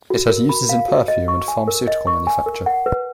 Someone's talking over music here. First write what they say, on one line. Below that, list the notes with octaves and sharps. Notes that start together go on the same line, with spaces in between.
It has uses in perfume and pharmaceutical manufacture.
F#4
A#4
B5
F5
F#4
D#5
C#6
G#5
A#4
D#5
C#6
G#5
A#4
F#5
B4